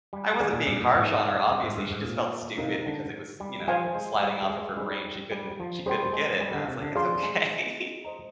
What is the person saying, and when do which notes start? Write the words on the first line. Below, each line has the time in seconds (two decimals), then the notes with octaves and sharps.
I wasn't being harsh on her, obviously. She just felt stupid because it was, you know, sliding off of her brain. She couldn't she couldn't get it, and I was like, it's okay.
0.13 G3
0.40 D#3 G#4 D5 G#5
0.53 A#2
0.67 G2
0.81 A#2
0.95 G#2
1.49 G2 G#4 D#5 G#5 C6
1.63 G#2
1.77 G2
1.91 G#2
2.04 A#2
2.58 C3 D#4 A#4 F5
2.86 D3
3.40 G3
3.67 F3 C5 F5 G#5
3.95 G#3
4.22 G3
4.49 G#3
4.77 G3 D#4 G#4 C5
5.31 G3
5.60 F3
5.86 G3 G#4 C5 G5 C6
6.13 G#3
6.41 G3
6.54 D3
6.68 C3
6.82 D3
6.95 F3 G#4 D5 F5 C6
7.23 G#3
8.05 C5 D#5 A#5